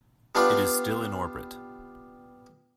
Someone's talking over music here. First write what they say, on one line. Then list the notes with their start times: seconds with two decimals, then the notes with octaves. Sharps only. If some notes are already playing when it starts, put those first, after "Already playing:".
It is still in orbit.
0.35 G3 B3 D4 F4 B4 D5